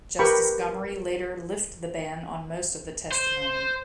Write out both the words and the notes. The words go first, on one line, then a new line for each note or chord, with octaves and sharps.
Justice Gomery later lifted the ban on most of the testimony.
G4 A#4 B4 G5 B5 C#6
C5